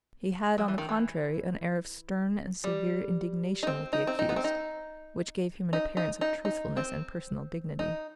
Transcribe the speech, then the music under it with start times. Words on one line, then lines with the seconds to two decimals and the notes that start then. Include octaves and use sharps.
He had, on the contrary, an air of stern and severe indignation with the accused, which gave him an appearance of truthfulness and personal dignity.
0.58 F#3
0.68 E3
0.78 D#3
0.89 E3
2.64 G3
3.63 D#4
3.67 C4
3.93 D#4
4.07 C4
4.19 D#4
4.29 B3
4.36 C4
4.44 D#4
5.73 D#4
5.97 D#4
6.21 D#4
6.45 D#4
6.77 C4
7.79 D#4